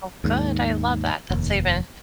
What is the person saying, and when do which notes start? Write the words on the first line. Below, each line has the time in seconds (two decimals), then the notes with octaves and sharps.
Oh, good, I love that. That's even
0.24 D#2 G#2
1.30 F1 D#2